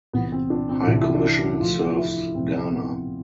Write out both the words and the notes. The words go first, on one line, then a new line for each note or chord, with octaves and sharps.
High Commission serves Ghana.
C2 C3 E3 B3
C4
D4
C4
C2 C3 E3 D4
E4
D4
D2 C3 F3 F4
F4
E4
D2 C3 F3 C4
B3